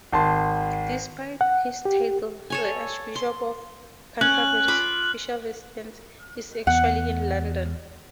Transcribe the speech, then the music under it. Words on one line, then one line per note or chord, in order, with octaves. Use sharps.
Despite his title, the Archbishop of Canterbury's official residence is actually in London.
G#1 A5 C6
F#5
G4
A4 C#5 G#5
C6
C#4 F#6 F#7
F4 B5 D6
E2 B3 F#5